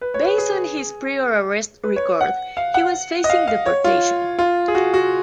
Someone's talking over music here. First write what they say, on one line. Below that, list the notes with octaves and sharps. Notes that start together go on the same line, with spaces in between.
Based on his prior arrest record, he was facing deportation.
B4
C#5
B4
G#4
B4
C#5
F#5
F5
F#5
D#5
F5
F5
C#5
F4
F4
G#4
F#4
F#4